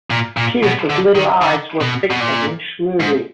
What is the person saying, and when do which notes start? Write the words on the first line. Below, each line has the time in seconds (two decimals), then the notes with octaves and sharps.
Pearce's little eyes were fixed on him shrewdly.
0.10 A#2
0.37 A#2
0.63 B2
0.90 D3
1.15 D#3
1.42 D3
1.81 B2
2.11 B2
2.21 A#2
3.00 G#2